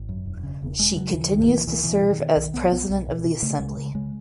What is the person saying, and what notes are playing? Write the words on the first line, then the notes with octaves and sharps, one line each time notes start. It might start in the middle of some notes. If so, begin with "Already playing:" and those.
She continues to serve as president of the assembly.
Already playing: G#1
F#2
E1
C#3
E1
E1 G#3
C#3 F#3
D#2 E3
C#2 D#3
B2 E3
C#2 E3
B2 E3
B2
D#3
B2
B1 D#3
B1 B3
B1 B3
B1
B2
B2
C#3 A3
C#2 G#3
C#3
C#3 G#3